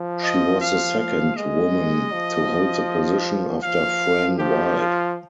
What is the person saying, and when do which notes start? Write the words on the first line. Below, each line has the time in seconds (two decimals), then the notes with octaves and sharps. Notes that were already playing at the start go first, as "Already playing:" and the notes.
She was the second woman to hold the position, after Fran Wilde.
Already playing: F3
0.23 D#5
0.61 F5
0.99 F5
1.36 G#3 D#5
2.12 F3
3.63 F3 F5
4.38 F3 G4
4.77 F4